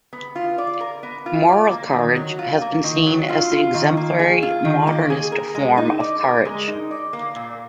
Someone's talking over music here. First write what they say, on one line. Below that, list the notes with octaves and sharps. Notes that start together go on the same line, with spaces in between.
Moral courage has been seen as the exemplary modernist form of courage.
B3
F4
D5
A#4
B3
F4
D5
A#3
D#3
F#3
F4
A#3
D#3
F#3
F4
F4
D#3
A#3
G#4
F4
D#3
A#3
G#4
A#4
G#3
D#4
D5
A#4
G#3
D#4
D5
A#3
A#2